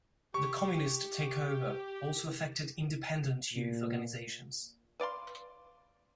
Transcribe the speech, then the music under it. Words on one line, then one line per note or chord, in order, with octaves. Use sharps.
The communist takeover also affected independent youth organisations.
G4 C#6
A#2
B4 D5 F5 C6